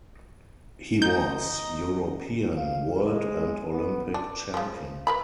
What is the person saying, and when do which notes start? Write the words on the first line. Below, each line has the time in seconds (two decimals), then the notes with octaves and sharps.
He was European, World and Olympic champion.
1.02 D#4 G6
2.57 F5
3.01 G#3
3.72 B3
4.14 D4
4.54 C#3 F3
5.07 A#4 B4 B5